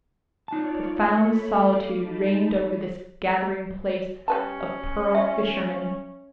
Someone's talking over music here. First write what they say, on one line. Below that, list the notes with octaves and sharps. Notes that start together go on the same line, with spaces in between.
Profound solitude reigned over this gathering place of pearl fishermen.
D#4 F4 C#5 D5 A5
A3 A4 C#5 B5
F5 D6
D#4 A5 B5
G3 C#4 B4 A5
F4 E5